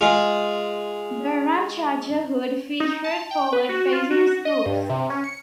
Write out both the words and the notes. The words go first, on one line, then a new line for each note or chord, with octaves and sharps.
The "Ramcharger" hood featured forward-facing scoops.
G#3 F4
D#4
A5
G5
B4
F#4
F4
F#4
D#5
G2
C3
C#4
C#7